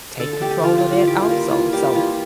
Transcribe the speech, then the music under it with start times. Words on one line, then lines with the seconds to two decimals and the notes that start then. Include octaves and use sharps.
take control of that also, so
0.19 D3 A4
0.33 A4
0.41 A3 G4
0.63 D3 F4
0.78 F4
0.85 A3
0.93 F4
1.07 E3 G4
1.22 F4
1.29 G3 A#3
1.51 E3 F4
1.73 G3 A#3 G4
1.94 E3 F4